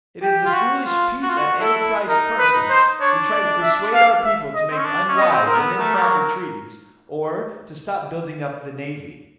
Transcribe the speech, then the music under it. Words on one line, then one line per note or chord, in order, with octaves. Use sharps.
It is the foolish, peace-at-any-price persons who try to persuade our people to make unwise and improper treaties, or to stop building up the navy.
G4
F4
F#4
F4
F#4
F4
F#4
E4 A4
D#4 A#4
B4
D#4
C5
D4 C#5
D5
E5
F5
E5
D#5
C4
C#4
D4
C#4
D#5
B3
C4
C4 A#4
B3
A3 A#4
G3
F#3